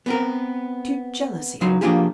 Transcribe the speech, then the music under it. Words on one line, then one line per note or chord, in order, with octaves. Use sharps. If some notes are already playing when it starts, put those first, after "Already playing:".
"To jealousy?"
B3 C4 A#4
C#2 F#3 D#4 C6
F3 A#3 D4 F4 G4 G#4